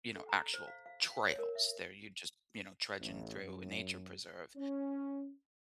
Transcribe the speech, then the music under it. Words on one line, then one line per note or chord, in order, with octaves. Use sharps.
you know, actual trails, they're you're just, you know, trudging through a nature preserve.
A4
A#5
C5
F5
F5
F5
C#5
A#4
E5
A1
F#2
C#4